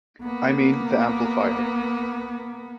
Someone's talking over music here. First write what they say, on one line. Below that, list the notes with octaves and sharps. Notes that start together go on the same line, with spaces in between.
I mean, the amplifier.
A#3 B3